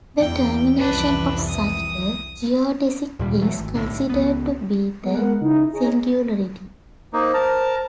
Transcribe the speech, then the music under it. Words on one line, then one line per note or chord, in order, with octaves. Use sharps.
The termination of such a geodesic is considered to be the singularity.
E2 G5
C2 F2 E3 D4 B4
D#6
D#2 A#2 G3
E3 F#3 A3
G#1
B1 A2 D3
C#2 B3
G#3 B3 A#4 F#5
C#3 D#4 E4
G#4 C#5 D#5 A#5
A#3 D#4 C5
A#4 A5 A#5